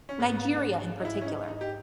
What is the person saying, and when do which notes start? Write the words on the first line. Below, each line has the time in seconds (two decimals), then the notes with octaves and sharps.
Nigeria in particular.
0.09 C#4
0.19 G#2 B3
0.62 G#2
1.00 D#4
1.05 G#2 E4
1.21 C#4
1.27 D#4
1.48 G#2 D#4
1.61 G4